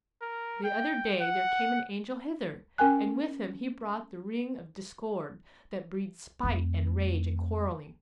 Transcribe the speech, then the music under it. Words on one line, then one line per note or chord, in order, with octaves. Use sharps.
The other day there came an angel hither, and with him he brought the ring of discord that breeds spite and rage and quarrelling.
A#4
G5
F#5
C#4 A#4 G5 G#5 F#6
F2 A3